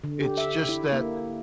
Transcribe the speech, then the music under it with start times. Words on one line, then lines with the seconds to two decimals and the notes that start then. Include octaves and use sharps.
It's just that
0.04 D3
0.20 G4
0.37 E5
0.69 E4
0.92 A#3